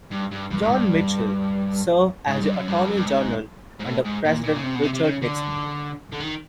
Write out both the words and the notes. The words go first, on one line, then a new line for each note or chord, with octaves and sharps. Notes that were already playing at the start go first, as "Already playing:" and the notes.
John Mitchell served as Attorney General under President Richard Nixon.
G2
G2
G2
G#2
G2
G#2
G2
F#2
G2
F#2
G2
G#2
G#2
A2
G#2
A#2
A#2
C#3
C3
B2
C3
C3
C#3
D3
D3
D#3